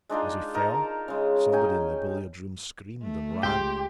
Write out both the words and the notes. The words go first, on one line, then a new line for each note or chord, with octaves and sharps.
As he fell, somebody in the billiard-room screamed and ran.
G#3 D4 D#4 F4
D#4 A#4 A5 A#5
C#3 G#3
C#4 D#4 G5 G#5
A3
C#2 G4 G5 C6